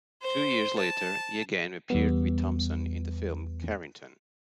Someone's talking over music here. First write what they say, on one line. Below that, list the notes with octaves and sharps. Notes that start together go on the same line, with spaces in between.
Two years later he again appeared with Thompson in the film "Carrington".
C5
A5
E2 G3 B3